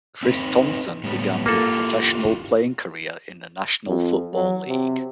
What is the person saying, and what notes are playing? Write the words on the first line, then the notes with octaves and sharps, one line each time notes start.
Chris Thompson began his professional playing career in the National Football League.
C4 D#4 B4
A2 G3 B3
A#3 E4 F4 G4 A4
F2
F#3
C3